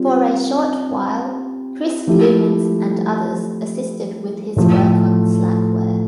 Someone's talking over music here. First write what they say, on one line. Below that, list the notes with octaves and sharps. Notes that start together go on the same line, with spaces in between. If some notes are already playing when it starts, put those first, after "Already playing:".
For a short while, Chris Lumens and others assisted with his work on Slackware.
Already playing: G3 C4 F4
F3 A3 E4 G4
A2 F3 A3